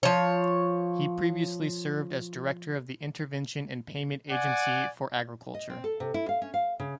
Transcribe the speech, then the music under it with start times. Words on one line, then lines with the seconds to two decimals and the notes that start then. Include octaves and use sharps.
He previously served as director of the Intervention and Payment Agency for Agriculture.
0.03 F3 C#5
4.30 D5 F#5 G#5
5.54 D#5
5.70 C4
5.84 A4
6.00 C3
6.14 E4
6.29 F5
6.42 C#4
6.54 F5
6.80 C#3